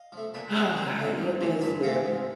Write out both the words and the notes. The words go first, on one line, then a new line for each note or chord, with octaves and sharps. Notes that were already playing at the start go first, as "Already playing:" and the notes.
Oh god. You gonna think this is weird,
Already playing: D#5 F5
F3 A3
A#2 A5 B5
F#3 A3 C4
A#2 A#5 C6
F#3 A3 C4
G2
E3 A3 C4
G2 A5 B5
E3 A3 C4 F5 G5
G#2